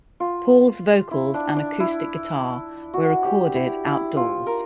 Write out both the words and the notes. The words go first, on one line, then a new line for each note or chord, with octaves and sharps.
Paul's vocals and acoustic guitar were recorded outdoors.
F4
E4
D4
D4
E4
F#4
G4
E4
E4
F4
A#4